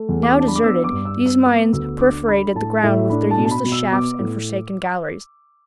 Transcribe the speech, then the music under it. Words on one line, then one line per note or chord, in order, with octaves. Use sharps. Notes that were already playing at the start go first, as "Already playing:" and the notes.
Now deserted, these mines perforated the ground with their useless shafts and forsaken galleries.
Already playing: A3
E2
D6
D4 A5
B5
D6
B3 E6
D6
G2
E6
G2
E6
B3 D6
D2 E6
D4 D6
D4 B5
A2 A5
A2 E5
D4 B5
A5
B2
A5
B5
B2
E6
B3 D6
A2